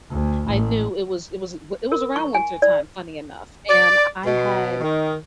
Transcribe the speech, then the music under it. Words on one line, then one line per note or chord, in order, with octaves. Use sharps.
I knew it was it was th it was around wintertime, funny enough, and I had
D2
A1
A#4
C#6
G#5
D5
D5
B2
D#3